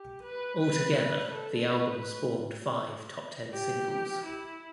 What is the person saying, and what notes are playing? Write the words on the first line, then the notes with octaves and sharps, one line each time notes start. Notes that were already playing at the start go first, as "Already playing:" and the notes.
Altogether the album spawned five top-ten singles.
Already playing: G4
B4
B4
B4
A4
B4
G4
E4